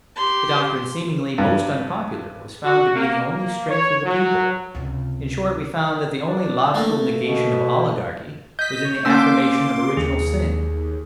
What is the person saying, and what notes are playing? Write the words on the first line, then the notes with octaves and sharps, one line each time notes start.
The doctrine seemingly most unpopular was found to be the only strength of the people. In short, we found that the only logical negation of oligarchy was in the affirmation of original sin.
G4 C6
G2
F#4
A#3
A#3
C#5
F#3
C#2 C3
D4
A3 A#3
B2
D#5 G6 B6
C#5
A#3 C#4 C6 D6 E6
D#2 G#4